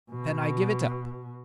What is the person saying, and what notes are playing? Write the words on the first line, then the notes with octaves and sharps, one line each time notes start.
"Then I give it up."
B2